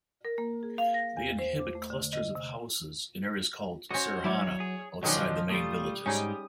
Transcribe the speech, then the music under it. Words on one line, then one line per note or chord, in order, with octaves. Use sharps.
They inhabit clusters of houses in areas called saharana outside the main villages.
A#4
A#3
G#4
F5
A#6
E2
C5
D6
A3
D3
D#5
C3
C#4 F#4 C5 C#5 D#5
F#3 E4 C#5 D5
G#4
B2 D#3 F3 F#3 C#4 D4 D#5
G3 A3 F4 D#6
G#2 G3 C#4 D#4 G#4